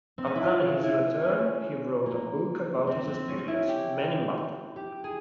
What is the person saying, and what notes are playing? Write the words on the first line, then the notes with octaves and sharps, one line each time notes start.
Upon his return, he wrote a book about his experiences, "Men in Battle".
C4
C#4
E4
F4
E4
C#4
A#3
C4
C4
C#4
C#4
E4
G4
G4
G#4